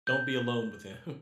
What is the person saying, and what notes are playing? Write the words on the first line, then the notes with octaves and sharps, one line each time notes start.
don't be alone with him,
G6